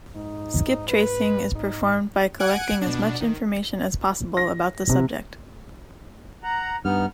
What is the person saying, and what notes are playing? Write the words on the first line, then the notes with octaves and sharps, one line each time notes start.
Skiptracing is performed by collecting as much information as possible about the subject.
G#2 D#4
B4
D#4
F#5 G#5 F#6 G#6 D7
B2 D4
D#3
A#6
C3
F#5 A#5
G2 B3 D#4 F6